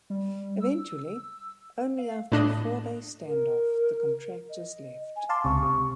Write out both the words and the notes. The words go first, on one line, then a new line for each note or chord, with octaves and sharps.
Eventually, only after a four-day stand-off, the contractors left.
G3
E6
F5
A2 D4 D#5
A#4
D#5
G#5
F5 A5 C6 D6
C#2 C3 C#6
C3